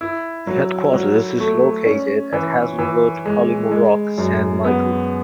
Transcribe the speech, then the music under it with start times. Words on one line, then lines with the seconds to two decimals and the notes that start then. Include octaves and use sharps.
The headquarters is located at Hazelwood, Collymore Rock, Saint Michael.
0.01 E4
0.47 F#3
0.93 F#3
1.40 A3
1.86 C#4
2.33 E3
2.78 E3
3.26 G#3
3.72 G#3
4.18 F#2
4.64 B3